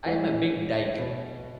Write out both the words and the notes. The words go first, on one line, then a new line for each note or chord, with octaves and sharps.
I'm a big dyke.
E3
B2